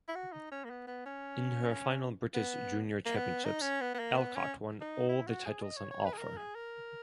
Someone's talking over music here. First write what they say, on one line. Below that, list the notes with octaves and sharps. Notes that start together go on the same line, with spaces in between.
In her final British Junior Championships, Alcott won all the titles on offer.
E4
F#4
D#4
C#4
A#3
B3
B3
C#4
B3
A#3
B3
D#4
C#4
B3
B3
A#3
B3
C#4
D#4
E4
F#4
G#4
D#5
C#5
C#5
B4
G#4
A#4
G#4
A#4